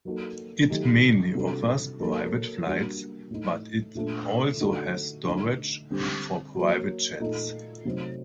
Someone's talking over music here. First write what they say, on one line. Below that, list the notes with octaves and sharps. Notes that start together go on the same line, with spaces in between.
It mainly offers private flights, but it also has storage for private jets.
F#3 A#3 D#4 F#4 A4
D#3 F#3 A3 D#4 G4
C3 G3 D4 F#4 A4
F#3 A#3 D#4 A4
G3 A#3 D4 F#4
A2 A3 D#4
A#2 A3 D4 A4
D3 A3 D#4 F#4 A4
D3 A3 D#4
D3 G3 C4 G4
F#3 A#3 F#4
A#2 A3 D#4 A4
C3 F#3 A3 C4 D#4